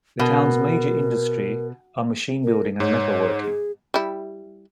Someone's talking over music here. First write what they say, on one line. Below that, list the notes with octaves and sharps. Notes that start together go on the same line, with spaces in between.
The town's major industry are machine building and metalworking.
B2 A#4
A#4
G#2 C#5
G#4
G3 E4